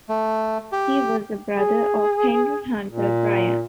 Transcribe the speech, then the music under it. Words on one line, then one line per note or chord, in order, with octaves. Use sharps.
He was a brother of Henry Hunter Bryan.
A3
G4
G#4
A#2